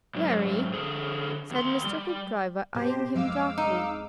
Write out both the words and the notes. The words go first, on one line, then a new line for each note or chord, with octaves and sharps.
"Very," said Mr. Hoopdriver, eyeing him darkly.
G#2 F#3
D3 G#4
D#2 C6
G3
B2 G4 C5
F2 G#3 F5 D6 E6
D#4